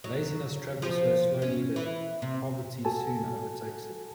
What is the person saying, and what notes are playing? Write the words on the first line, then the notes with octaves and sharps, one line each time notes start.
Laziness travels so slowly that poverty soon overtakes it.
F#3
F3
C#4
E3
C3
F#4 A4 G#5 A5